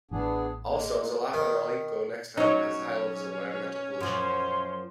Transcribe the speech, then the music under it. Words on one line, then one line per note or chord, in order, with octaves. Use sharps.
Also, Xalapa Naolinco next town, has high levels of environmental pollution.
A1 E3 B3 D4 G#4
G#3 A#3
D#3
F#3 C#4 D#4 C#5
F#2 F3 C6